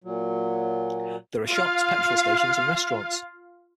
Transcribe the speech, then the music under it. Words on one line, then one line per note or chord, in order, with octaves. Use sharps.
There are shops, petrol stations and restaurants.
A#2 F#3
F4 F5